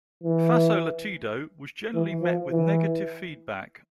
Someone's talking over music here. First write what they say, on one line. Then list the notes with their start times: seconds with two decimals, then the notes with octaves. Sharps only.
"Faso Latido" was generally met with negative feedback.
0.23 E3
1.94 E3
2.22 F3
2.51 E3